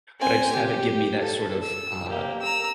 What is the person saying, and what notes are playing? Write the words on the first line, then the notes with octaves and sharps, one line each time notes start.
But I just have it give me that sort of, uh,
C4 G#5
G4
A4
E6
A#3 G4
A#5 E6